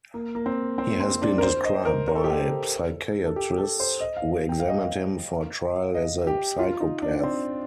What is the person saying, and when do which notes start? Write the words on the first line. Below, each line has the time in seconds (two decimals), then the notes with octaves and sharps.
He has been described by psychiatrists who examined him for trial as a psychopath.
0.14 A#3
0.35 A#3
0.46 C4
0.78 C4
1.00 C4
1.22 D4
1.38 A#4
1.43 C5
1.65 D#5
1.85 A#4
2.08 A#4
2.15 A4
2.24 G4
2.32 A4
3.26 A4
3.36 G4
3.58 A4
3.80 C5
4.01 D#5
4.17 F5
4.49 G5
4.60 F5
4.68 D#5
4.79 F5
5.95 D#5
6.27 G4
6.59 F4
6.80 D#4
7.02 D4
7.23 C4